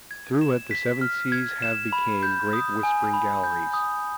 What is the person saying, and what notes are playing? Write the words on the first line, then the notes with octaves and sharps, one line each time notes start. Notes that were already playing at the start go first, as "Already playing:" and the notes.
Through it the seven seas have became great whispering galleries.
G#6
E7
B6
F6
G#6
E7
B5
G6
D#6
G#5
B5
G6
D#6